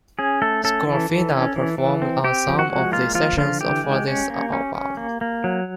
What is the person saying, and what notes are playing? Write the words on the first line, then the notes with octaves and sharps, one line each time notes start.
Scorfina performed on some of the sessions for this album.
C#4 G#4
A3 A4
C#4 A4
E3
E3
C#4
E3
E3
C4
C4 G4
F3
F#4
G#3
A#3 F4
F3 F4
D3 F4
E3 G4
G#3
C#4
A#3
C#4
C#4
A#3
A#3
F#3